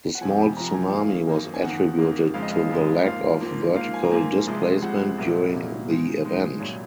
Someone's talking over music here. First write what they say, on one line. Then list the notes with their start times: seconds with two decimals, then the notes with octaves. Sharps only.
The small tsunami was attributed to the lack of vertical displacement during the event.
0.15 F#5
0.21 F2 C3 F3 G#5
0.56 F2 C3 F3 A#5
0.68 A#5
0.74 G#5
0.92 F#2 D#3 A#3 F5
1.27 F#2 D#3 A#3
1.54 G#5
1.63 F2 D#3 A#3 F#5
1.98 F2 D#3 A#3
2.34 F2 C#3 G#3 F5
2.43 D#5
2.51 F5
2.69 F2 C#3 G#3
3.05 G#2 F3 A#3 F5
3.41 G#2 F3 A#3
3.76 G#2 F3 A#3 F5
3.94 G#5
4.05 A#5
4.11 G#2 F3 A#3 G#5
4.47 C2 C3 F3 G#3
4.82 C2 C3 F3 G#3 F#5
5.18 C2 A#2 F#3 A#3
5.53 C2 A#2 F#3 A#3
5.89 G#2 D#3 G#3
6.25 G#2 D#3 G#3
6.60 C2 A#2 F#3 C#5